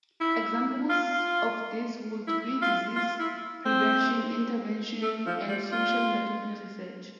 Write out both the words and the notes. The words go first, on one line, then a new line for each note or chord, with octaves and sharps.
Examples of this would be disease prevention interventions and social marketing research.
E4
F4
F4
E4
F4
F4
E4
C4
A3
F3
G3
F4